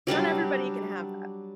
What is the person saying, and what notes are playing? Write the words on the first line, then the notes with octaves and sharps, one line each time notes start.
not everybody can have that.
F#3 G3 D4 A5